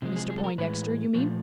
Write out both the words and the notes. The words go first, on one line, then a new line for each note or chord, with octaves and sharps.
"Mr Poindexter, you mean?"
C3 F3 G#3
G#4
G#4
A4
A#4
A2 E3 G#3 B4
A#2 F3 A3